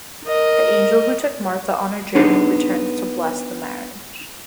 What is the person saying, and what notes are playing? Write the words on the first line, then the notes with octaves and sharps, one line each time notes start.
The angel who took Martha on her journey returns to bless the marriage.
A#4 D#5
B3 D4 D#4 G#4